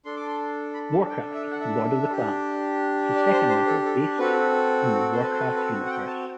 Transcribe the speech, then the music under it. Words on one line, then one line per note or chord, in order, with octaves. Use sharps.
"Warcraft: Lord of the Clans" is the second novel based in the "Warcraft" universe.
D4 A4 C6
D6
C6
B5
A5
G5
E5
F#5
E5
G4
D4
D5
C5
C5
A4
A4
C4 F#4 A4 B4
C5
B4
C5
B4
B4
A4
F#5
G5
A5